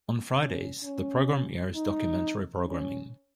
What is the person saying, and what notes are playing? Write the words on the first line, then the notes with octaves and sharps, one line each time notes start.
On Fridays, the program airs documentary programming.
C#4
C#4
D#4
C#4